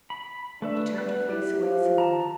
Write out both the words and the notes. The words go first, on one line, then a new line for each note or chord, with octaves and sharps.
She turned her face away suddenly.
B5
A3 D4 B4 E5
B3 F#6
E4 G4
F3
A5 A#5